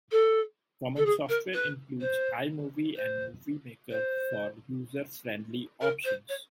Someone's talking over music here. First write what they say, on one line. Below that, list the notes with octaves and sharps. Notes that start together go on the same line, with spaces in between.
Common software includes iMovie and Movie Maker for user-friendly options.
A4
A4
G#4
A#4
B4
C5
C5
C5
A#4
C5
C#5